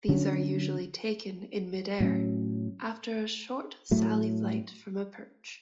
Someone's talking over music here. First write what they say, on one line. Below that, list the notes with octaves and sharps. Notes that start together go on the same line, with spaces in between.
These are usually taken in mid-air, after a short sally flight from a perch.
D3 F#3 C#4
A2 F#3 C#4
A2 F#3 A3